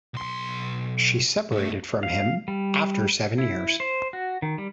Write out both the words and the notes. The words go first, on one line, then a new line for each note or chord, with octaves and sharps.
She separated from him after seven years.
B1 C6
G#2 A3
F5
G3
E4
C5
F#4
D#3
G3